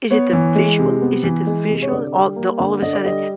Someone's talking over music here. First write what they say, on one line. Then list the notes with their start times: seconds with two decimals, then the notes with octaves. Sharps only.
is it the visual is it the visual? All the all of a sudden,
0.11 B3 C#5
0.33 E3
0.56 G#3
0.79 C3
1.02 B3
1.23 E3
1.47 G#3
1.70 C3
1.82 C#5
1.91 D3 D5
2.14 G3
2.36 A#3
2.60 D3
2.82 D3 D#5
2.93 D5
3.04 G3 D#5